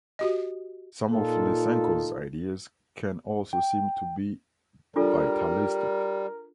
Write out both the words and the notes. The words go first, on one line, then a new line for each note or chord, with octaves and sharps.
Some of Lysenko's ideas can also seem to be vitalistic.
F#4 G4 D#5
A#2 D#4 F4 A4
G5
G3 D4 F4 A4 A#4